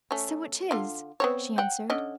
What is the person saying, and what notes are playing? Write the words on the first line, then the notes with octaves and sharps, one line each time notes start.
"So it is," she answered.
A3 C#4
D3 F4
B3 C4 C#5
F#5 G5
D3 C#4 D#5